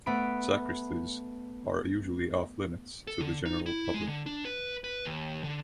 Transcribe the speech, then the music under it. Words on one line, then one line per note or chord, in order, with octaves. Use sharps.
Sacristies are usually off limits to the general public.
A3 B3 B5 D7
A4
D3
D#4
E4
G#3
D3
D4
B4
B4
D#2
D3